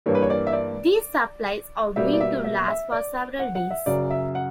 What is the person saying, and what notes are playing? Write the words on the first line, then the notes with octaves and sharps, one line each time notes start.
These supplies are meant to last for several days.
G2 E3 G3 A#3 C#5
B4
C#5
D5
E5
D5
B2 G3 A#3 E5
D5
E5
E5
E5
D5
F#5
F#5
E5
F#2 C#3 F#3 D5
E5
F#5